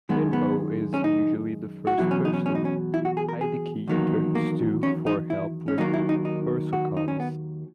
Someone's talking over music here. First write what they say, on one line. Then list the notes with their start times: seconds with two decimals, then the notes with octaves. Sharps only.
Shinbo is usually the first person Hideki turns to for help with persocoms.
0.09 F#2 D#3 G#3 B3
0.33 B3
0.94 C#4
1.04 D#4
1.87 F#4
1.98 E2 B2 F#3 E4
2.11 C#4
2.25 D#4
2.34 C#4
2.46 C#4
2.55 D#4
2.65 C#4
2.94 E4
3.05 F#4
3.17 G#4
3.29 A#4
3.41 G#4
3.88 E2 D#3 F#3 A#3
4.35 A#3
4.83 C#4
5.07 D#4
5.30 E4
5.68 C#4
5.78 D#2 D#3 F#3 A#3 D#4
5.94 E4
6.09 D#4
6.25 D#4
6.73 F#4
6.97 D#4
7.08 C#4
7.20 B3